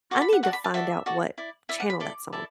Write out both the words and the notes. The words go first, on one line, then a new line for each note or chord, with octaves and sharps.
I need to find out what channel that's on.
F#4 A4 D5 D6
B5
F#5
F#4 A4 D5 F#5
B5
A5
F#4 A4 D5 E5
F#4 A4 D5
E4 D5
E4 D5 E5
F#5
B5
E4 A4 D5 D6
E4 A4 D5